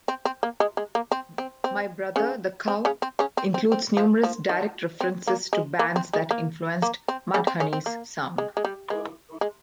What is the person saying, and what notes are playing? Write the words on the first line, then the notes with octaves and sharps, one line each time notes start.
"My Brother The Cow" includes numerous direct references to bands that influenced Mudhoney's sound.
C4
C4
A#3
G#3
G#3
A#3
C4
C4
C4
C#3 C#4
C4
C#3 C#4
C4
C#3 C#4
C4
C4
C4
F3
F3
D#3
C4
A#3
G#3
A#3
C4
G#3
A#3
A#3
C4
C#3 C#4
C4
C#3 C#4
C4
A#3
G#3
G#3
G3
G#3
G#3